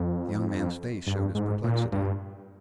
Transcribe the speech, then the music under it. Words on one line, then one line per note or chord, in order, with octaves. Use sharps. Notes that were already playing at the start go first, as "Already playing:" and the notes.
The young man's face showed his perplexity.
Already playing: F2
G2
G#2
A#2
G2